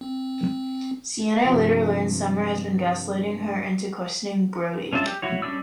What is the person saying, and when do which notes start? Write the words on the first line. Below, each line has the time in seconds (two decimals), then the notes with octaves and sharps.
Sienna later learns Summer has been gaslighting her into questioning Brody.
0.01 C4
1.45 G2 C3 F3
4.93 C#4 D4 F4 E5 A5
5.06 G4
5.22 E4 F#4 C#5
5.42 G3 C#4 D4 D5 E6